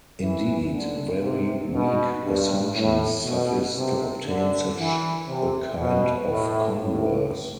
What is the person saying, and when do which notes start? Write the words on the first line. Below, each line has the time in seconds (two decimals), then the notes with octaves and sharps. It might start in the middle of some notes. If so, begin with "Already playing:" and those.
Indeed, very weak assumptions suffice to obtain such a kind of converse.
0.21 E3
0.72 D3
1.22 C3
1.74 B2
2.23 G2
2.74 A2
3.25 B2
3.77 C3
4.27 D3
4.78 E3
5.28 C3
5.79 B2
6.30 A2
6.81 A2